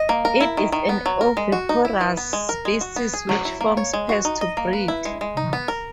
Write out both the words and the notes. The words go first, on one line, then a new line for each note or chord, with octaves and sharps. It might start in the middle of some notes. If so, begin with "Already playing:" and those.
It is an oviparous species which forms pairs to breed.
Already playing: D#5
A#3
A#4
E4
D#3
D#3
B3
F#3
A#4
G#3
F#4
D#4
E4
E3
B3
G#3
A#4
G#3
F#4
B3
G#4
F#3
E4
A#3
C#5
G#3
F#4
D#4
D#5
A#3
B4
E4
G#3
G#3
D#4
B3
A#4